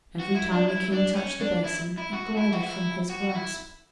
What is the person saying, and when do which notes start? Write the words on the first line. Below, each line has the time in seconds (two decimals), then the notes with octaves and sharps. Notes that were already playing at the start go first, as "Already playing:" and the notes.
Every time the King touched the basin it glided from his grasp.
0.19 F#4
0.35 E4
0.52 D4
0.68 E4
0.92 D4
1.16 C#4
1.40 D4
1.64 E4
1.98 E4
2.13 F#4
2.37 E4
2.52 F#4
2.61 E4
3.10 F#4
3.30 F#4
3.35 E4